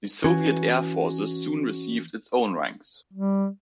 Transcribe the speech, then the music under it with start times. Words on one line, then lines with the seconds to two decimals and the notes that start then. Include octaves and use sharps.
The Soviet Air Forces soon received its own ranks.
0.24 E3 C#4 F#4 G#5
3.13 G3